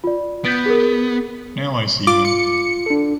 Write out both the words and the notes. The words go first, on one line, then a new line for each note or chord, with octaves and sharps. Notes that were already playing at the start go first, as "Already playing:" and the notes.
Now I see him.
F4 D5
B3 G6 A6 D7
G#4 A#4
F4 D6
C#7
D4 A4